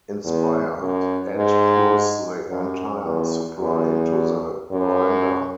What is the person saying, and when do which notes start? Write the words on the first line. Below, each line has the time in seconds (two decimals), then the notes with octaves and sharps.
Inspired, Ed pours the entire supply into the grinder.
0.25 E2
0.80 F#2
1.37 G#2
2.48 F#2
3.04 E2
3.60 E2
4.71 F#2